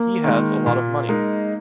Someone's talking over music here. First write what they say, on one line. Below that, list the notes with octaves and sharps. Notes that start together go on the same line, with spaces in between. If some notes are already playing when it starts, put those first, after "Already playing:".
He has a lot of money.
Already playing: A#3
D#3 G#3
A#2
G#3 D#4 A#4